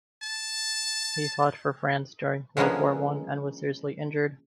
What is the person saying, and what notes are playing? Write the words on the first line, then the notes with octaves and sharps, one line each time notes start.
He fought for France during World War One and was seriously injured.
A5
D3 F3 G#3 A#3 B3 C#4